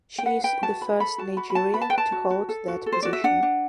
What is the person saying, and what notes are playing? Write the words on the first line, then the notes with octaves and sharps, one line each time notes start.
She is the first Nigerian to hold that position.
G5
B4 F#5
B4 G5
F#4 A5
B4 B5
A4 B5
F#4 A5
F#4 B5
B5
F#4 A5
B4 B5
A5
G5
B4
A5
F#4
F#4
A4
F#4
A4
C5
F#4 D5
E5
D4 F#5
D4